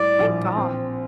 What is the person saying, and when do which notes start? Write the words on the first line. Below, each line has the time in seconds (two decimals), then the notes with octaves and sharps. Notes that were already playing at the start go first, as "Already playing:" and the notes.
Thank God.
Already playing: A2 G3 D5
0.19 A#1
0.57 C4